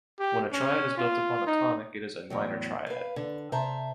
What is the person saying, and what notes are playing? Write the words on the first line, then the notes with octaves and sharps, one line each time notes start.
When a triad is built upon the tonic, it is a minor triad.
G4
C#4
F4
D#4
E2 A2 F#3
B4 F5
D3
C3 C5 E5 A5 A#5